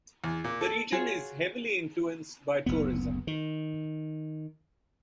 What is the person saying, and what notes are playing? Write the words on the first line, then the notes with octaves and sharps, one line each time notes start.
The region is heavily influenced by tourism.
E2
A#2
A4
F4 F#4 G#4 C#5
F#1 D2 B3
D#3